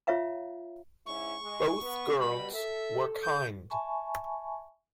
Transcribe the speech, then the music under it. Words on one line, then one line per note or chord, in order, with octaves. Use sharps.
Both girls were kind.
F4 C#5 E5 F5 A#5
G#2 C#4 E4 C#6
G#3
B3
B2 G3 B5
A4 E5
G6
E5 G#5 A5 B5 C#6